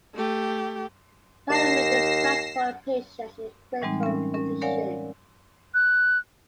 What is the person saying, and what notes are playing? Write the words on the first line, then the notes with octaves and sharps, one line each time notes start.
Paramedics transport patients in critical condition.
A3 G4
D#2 A#6 C7 E7
A2 E3 G3 G#3 C4 D#4
C#4 A#4
C#4 A#4
A#4 C#5 D5 F5 F#5 G#5
F#6